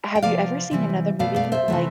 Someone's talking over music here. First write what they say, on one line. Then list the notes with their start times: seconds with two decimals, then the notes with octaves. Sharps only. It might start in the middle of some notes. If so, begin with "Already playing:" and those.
have you ever seen another movie like
0.15 G5
0.22 C3 F3 B3 D5 F5
0.71 C3 E3 G3
1.19 B2 A3 D5 F5
1.36 D5 F5
1.52 C5 E5
1.68 C3 E3 A3